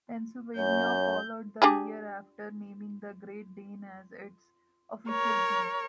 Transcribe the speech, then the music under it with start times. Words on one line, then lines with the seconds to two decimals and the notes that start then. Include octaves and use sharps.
Pennsylvania followed the year after, naming the Great Dane as its official breed.
0.57 F#2 C#5 G6
1.62 D4 G4 G#4
5.10 A#4 C#5